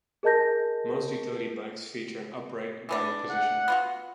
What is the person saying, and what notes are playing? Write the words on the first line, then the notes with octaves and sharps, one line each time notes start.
Most utility bikes feature an upright riding position.
G#4 A#4 D#5 A5 G6 A#6
E3 B3 D4
F#5
B3 F4 F#4